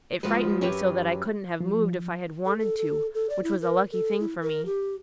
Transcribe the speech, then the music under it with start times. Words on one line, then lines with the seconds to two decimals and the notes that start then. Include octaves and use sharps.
It frightened me so that I couldn't have moved if I had wanted to, which was a lucky thing for me.
0.23 F3 G#3 F#4 B4
0.61 F#2 F#3 G4 B4 C#5
1.60 F3
2.46 A4
2.59 A4
2.78 A4
3.14 A4
3.30 D5
3.44 E4
3.61 A#4
3.92 A4
4.20 E4
4.42 A#4
4.66 G4